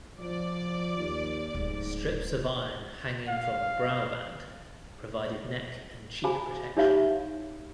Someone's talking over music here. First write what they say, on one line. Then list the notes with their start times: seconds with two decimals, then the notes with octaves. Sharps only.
Strips of iron hanging from the brow band provided neck and cheek protection.
0.20 F3 D5
0.98 D#2
1.54 D1 G#2
3.28 F5
6.24 F#4 G#4 C5 F5 G#5 B5
6.77 D#4 G4 C#5 E5 F5 B5